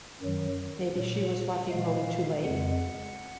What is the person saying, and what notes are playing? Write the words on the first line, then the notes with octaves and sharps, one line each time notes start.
Maybe she was walking home too late?
F#2 D#3 F#3
A#2 F#3
A#2 F3 G#3 F5
F2 C#3 G#3 F#5